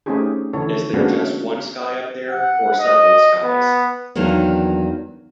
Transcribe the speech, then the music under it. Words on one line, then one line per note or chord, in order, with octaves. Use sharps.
Is there just one sky up there, or several skies?
A3 C4 C#4 D#4 G4 G#4
D3 E3 F3 E4 A4 C#5
G#3 A#3 B3 C#4 D4 F#4
F#5
D#5
B3
E2 D#3 F#3 A#3 D4 F5